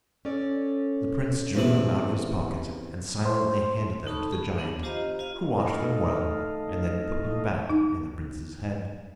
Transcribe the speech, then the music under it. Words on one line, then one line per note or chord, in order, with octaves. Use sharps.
The prince drew them out of his pocket, and silently handed them to the giant, who washed them well, and then put them back in the prince's head.
C#4 A4 D5
E2 C3 E4
C5
D#4 A4 A5 B5 C#6
G#4
B3 D4
F4 G4 C5 D#5 F5 A#5
F4 D#5 F5
A3 D#4 A4 D#5 F5
D#4